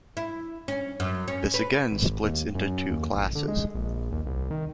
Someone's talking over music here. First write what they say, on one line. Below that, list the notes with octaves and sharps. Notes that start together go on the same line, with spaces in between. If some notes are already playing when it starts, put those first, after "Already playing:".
This again splits into two classes.
E4
C#4
F#2
C#4
B4
G#1
D#2
F#2
D#2
A1
D3
G#3
A#1
D#2
C2
D#3